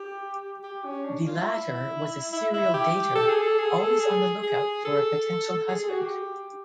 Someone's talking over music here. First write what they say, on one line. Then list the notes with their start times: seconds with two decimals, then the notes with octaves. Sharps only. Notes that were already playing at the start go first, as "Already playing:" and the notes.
The latter was a serial dater, always on the lookout for a potential husband.
Already playing: G4
0.63 G4
0.85 C#4
1.05 D4
1.27 F4
1.38 E4
2.33 E4
2.54 E4
2.74 G4
3.16 A4
3.29 G#4
3.42 A4
3.59 G#4
3.79 A4
4.00 G#4
4.43 G#4
4.85 A4
5.68 G#4
5.79 G#4
5.90 F#4
6.00 G4